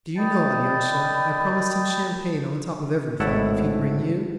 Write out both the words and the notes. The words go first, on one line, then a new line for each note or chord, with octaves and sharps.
Do you know, Alyosha, I promised him champagne on the top of everything, if he'd bring you?
A#4 D5 D#5 G5 A5 B5
G#1 A2 A3 E4 F#5 A5